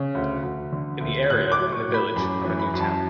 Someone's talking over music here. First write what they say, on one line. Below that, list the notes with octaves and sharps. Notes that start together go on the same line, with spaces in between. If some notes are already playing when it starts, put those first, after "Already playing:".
In the area in the village of a new town.
Already playing: C#3
D2
D2
D3
D2
A2 F#6
D6
F#3
C#6
A2
B5
F#2 B5
E3
B5
F#2
A5